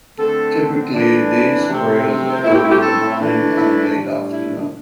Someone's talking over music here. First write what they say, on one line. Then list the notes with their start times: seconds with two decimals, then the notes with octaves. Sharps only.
Typically these prayers are held in the morning and late afternoon.
0.18 D3 A3 C4 A4
0.93 E3 A3 D4
1.69 C3 A3 C4
2.43 A2 A3 C4 E4
2.53 G4
2.63 E4
2.72 G4
2.81 A4
3.19 E3 A3 D4
3.57 E4
3.94 A2 G3 D4
4.32 E4